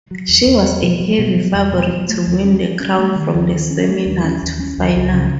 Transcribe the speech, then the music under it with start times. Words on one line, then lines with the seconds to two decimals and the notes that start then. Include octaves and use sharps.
She was a heavy favorite to win the crown from the semifinal to final.
0.11 F#3
0.29 E2
0.47 E2
0.64 F#3
0.82 B2
1.00 F#3
1.19 B2
1.37 F#3
1.54 E2
1.72 B2
1.90 F#3
2.09 A3
2.27 D#2
2.44 C#4
2.62 C#4
2.80 C#4
2.99 A3
3.16 D#3
3.35 D#2
3.52 D#3
3.70 C#4
3.89 A3
4.06 D#2
4.24 C#4
4.43 D#2
4.60 C#4
4.78 D#2
4.96 C#2
5.14 C#3